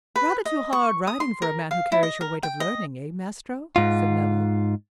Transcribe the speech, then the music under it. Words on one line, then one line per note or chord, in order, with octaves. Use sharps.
"Rather too hard riding for a man who carries your weight of learning: eh, Maestro?" said Nello.
B4
D#5
C#6
D#6
C6
A#4
F5
E4
D#5
A#4
G5
D#5
G#2 F4